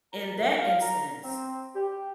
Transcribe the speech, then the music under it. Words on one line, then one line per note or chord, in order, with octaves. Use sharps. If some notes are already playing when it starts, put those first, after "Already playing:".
in that instance,
A#5
F#2
F5
A#5
C4
G4